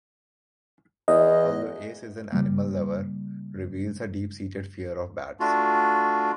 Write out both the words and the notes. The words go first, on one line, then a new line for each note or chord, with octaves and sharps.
Although Ace is an animal lover, reveals a deep-seated fear of bats.
E2 D#5
C#3 G3 A#3
A3 D4 F4 F#4